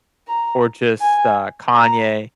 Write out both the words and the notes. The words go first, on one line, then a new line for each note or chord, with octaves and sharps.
or just, uh, Kanye.
A#5
G#5
A#5